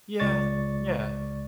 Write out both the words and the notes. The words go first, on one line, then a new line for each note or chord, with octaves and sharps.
Yeah, yeah,
C#2 D5 C#6 A6